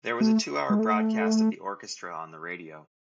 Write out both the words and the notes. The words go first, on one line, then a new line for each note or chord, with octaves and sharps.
There was a two-hour broadcast of the orchestra on the radio.
A3
G#3
A3